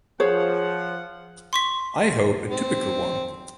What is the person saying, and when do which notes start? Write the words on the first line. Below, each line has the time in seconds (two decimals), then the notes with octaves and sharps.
I hope a typical one.
0.20 F3 G#4 C5 C#5 F#5
1.53 C6 C#6 B6
2.51 C4